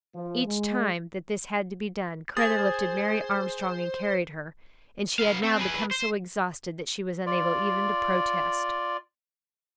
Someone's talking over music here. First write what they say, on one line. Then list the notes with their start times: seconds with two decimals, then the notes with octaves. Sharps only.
Each time that this had to be done, Kreta lifted Mary Armstrong and carried her, and she had now become so exhausted that she was unable even to protest.
0.15 F3
0.46 G#3
2.37 G#4 C5 G#5 D#6 A6
5.19 B3 F5
5.44 C4
5.59 G#4 B4
5.91 C5
7.26 F4 D5